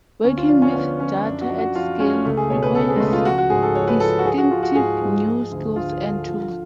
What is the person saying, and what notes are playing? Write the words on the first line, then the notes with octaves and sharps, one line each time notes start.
Working with data at scale requires distinctive new skills and tools.
D2 C#4
F4
F3 D4
C#4
B3
D2 C#4
F3 C#4
F#2 D4
F#4
F3
F#4
F3 F4
F#2 C#4
C#2 A3
G#4
B2 C#5
B4
C#2 A4
G#4
G#3
C#2 A3
F4
F3 F#4
F#4
G#2 G#4
A4
F3 C#5
B4
F3 A4
F#4
F3 G#4
F#4
F3 F4
F#4
G#2 G#4
G#2
F3
D2
D2 F4
D3
F3